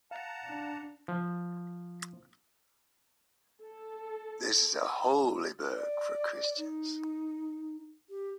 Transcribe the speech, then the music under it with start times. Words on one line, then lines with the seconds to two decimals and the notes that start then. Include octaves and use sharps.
This is a holy book for Christians.
0.11 F5 F#5 A5 A#5
0.44 D4
1.08 F3
3.62 A4
5.75 D5
6.57 D#4
8.09 G4